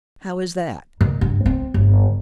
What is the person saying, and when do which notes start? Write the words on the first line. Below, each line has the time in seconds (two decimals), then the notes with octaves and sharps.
"How is that?"
1.01 D#3
1.21 G2
1.46 C4
1.74 G1